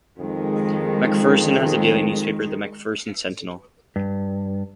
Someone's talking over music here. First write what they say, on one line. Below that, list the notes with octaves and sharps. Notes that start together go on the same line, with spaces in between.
McPherson has a daily newspaper, "The McPherson Sentinel".
F2 D#3 G#3
G2